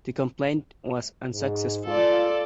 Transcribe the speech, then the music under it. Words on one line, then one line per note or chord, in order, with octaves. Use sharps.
The complaint was unsuccessful.
G#2
F4 A4 D5